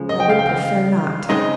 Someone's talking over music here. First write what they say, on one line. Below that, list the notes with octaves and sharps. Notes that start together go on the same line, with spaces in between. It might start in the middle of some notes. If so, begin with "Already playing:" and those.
"I would prefer not."
Already playing: C#3 F3 G#3
D#5
G5
F5
G5
F5
C#3 G#3 C4 D#4 D#5